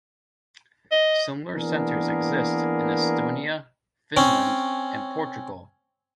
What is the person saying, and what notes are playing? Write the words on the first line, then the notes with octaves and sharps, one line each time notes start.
Similar centers exist in Estonia, Finland, and Portugal.
D#5
E3 A#3 B3 D4 G#4 A#4
C4 C#4